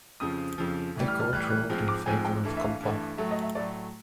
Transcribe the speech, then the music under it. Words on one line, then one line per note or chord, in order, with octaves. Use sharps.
The Court ruled in favour of Kolpak.
F2 C#3 F3 D#6
F2 C#3 F3
A2 E3 G3
F6
F6
A2 E3 G3 F#6
F#6
G#2 F3 G#3 C4
D6
G#2 F3 G#3 C4 G#5
G5
G2 E3 A3
E5
F5
G2 E3 A3
A2 F#3 A3 E5
D#5
E5
A2 F#3 A3 D5